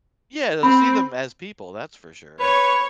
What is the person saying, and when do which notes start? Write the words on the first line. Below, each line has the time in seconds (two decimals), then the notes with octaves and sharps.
Yeah, they'll see them as people, that's for sure.
0.63 C4 B5
2.39 B4 C#5